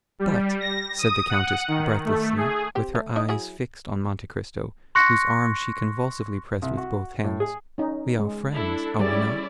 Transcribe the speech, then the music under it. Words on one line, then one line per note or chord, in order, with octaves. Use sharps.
"But," said the countess, breathlessly, with her eyes fixed on Monte Cristo, whose arm she convulsively pressed with both hands, "we are friends, are we not?"
G3
A#6
D#6
F#5
D#3
A3
G#4
C4 G4
A3
D#4 E4 D#5
F#3 E4 G#4
C6 C#6 F#6 A#6 C#7
C2
F#4
A2
G#4
C#4 D#4
G#3
D4 E4 A4
G3 C#4 E4 G#4 D5